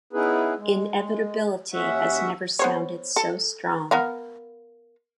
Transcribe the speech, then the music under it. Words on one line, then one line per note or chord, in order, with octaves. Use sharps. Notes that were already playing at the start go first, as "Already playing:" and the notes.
Inevitability has never sounded so strong.
B3 C#4 D#4 E4 G#4 B4
G#3
D#2 C#4 F#4 E5 F#5
B3 C5 C#5
A4
B3 A#4 F5